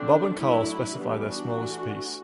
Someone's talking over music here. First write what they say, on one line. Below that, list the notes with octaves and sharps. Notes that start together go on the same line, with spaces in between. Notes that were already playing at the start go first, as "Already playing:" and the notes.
Bob and Carl specify their smallest piece.
Already playing: D3 A3 C4 D4
F#3 A3 D4 E4
E3 G3 B3 D4
D4 F#4
E3 A3 D4